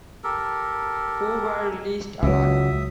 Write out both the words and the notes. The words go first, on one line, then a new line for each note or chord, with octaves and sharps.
Four were released alive.
G4 A4 A#4
C#2 F#3 E5 D#6